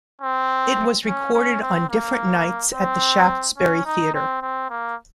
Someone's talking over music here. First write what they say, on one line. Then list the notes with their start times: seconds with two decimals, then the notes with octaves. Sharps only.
It was recorded on different nights at the Shaftesbury Theatre.
0.21 C4
1.06 C#4
1.34 C#4
1.61 C4
1.90 A#3
2.73 C4
3.58 C#4
3.86 D#4
4.14 C4
4.42 C4
4.70 A#3